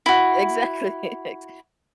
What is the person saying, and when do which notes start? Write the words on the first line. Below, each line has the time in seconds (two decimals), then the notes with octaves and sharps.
E exactly, ex
0.06 E4 F#4